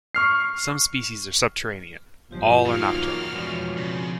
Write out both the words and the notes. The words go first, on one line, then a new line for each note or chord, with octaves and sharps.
Some species are subterranean; all are nocturnal.
C#6 F6 C7
G1 F3 F4 G4 B4
E2 F#3 A#3 D#4 F4 B4 F5 F6
B2 F3 G#3 C#5 D5
C#3 C4